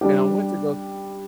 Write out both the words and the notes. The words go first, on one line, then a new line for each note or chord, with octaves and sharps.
and I went to go
G3 D4 G4